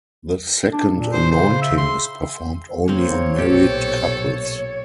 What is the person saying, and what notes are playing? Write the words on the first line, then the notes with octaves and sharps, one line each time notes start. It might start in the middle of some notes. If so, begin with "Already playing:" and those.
The second anointing is performed only on married couples.
D4
A#2
C5
C#3 C5
E5
C6
A#3 C4 C#5
B1 A#2 G4 A4